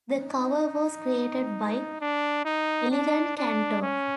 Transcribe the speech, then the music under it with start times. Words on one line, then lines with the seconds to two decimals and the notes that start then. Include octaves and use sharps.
The cover was created by Eliran Kantor.
0.18 D#4
2.01 D4
2.45 D#4
2.91 D4
3.38 D4
3.83 C#4